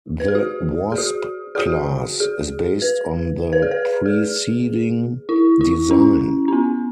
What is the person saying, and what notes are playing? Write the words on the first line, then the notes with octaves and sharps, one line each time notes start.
The "Wasp" class is based on the preceding design.
B4
G#4
F#4
G#4
F#4
G#4
F#4
G#4
B4
B4
G#4
B4
G#4
E4
E4
C#4
C#4
B3